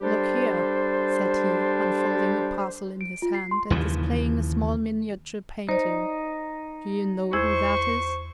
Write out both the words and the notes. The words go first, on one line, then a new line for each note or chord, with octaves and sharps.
"Look here," said he, unfolding a parcel in his hand, and displaying a small miniature painting, "do you know who that is?"
G3 D4 G4 A4 C5
D7
F4
C7
C6
D#2 C#3 E3 F3
D#4 C5 D5
E2 E4 C5 C#6 G#6